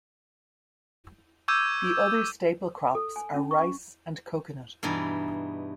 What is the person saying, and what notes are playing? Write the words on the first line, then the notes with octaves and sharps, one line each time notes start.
The other staple crops are rice and coconut.
C#6 D6 E6 G6 G#6 D#7
A4
G#5
C#4
C#6
G2 B2 E3 D#4